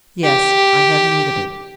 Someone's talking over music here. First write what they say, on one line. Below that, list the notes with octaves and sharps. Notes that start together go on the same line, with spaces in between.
"Yes, I have need of it."
G4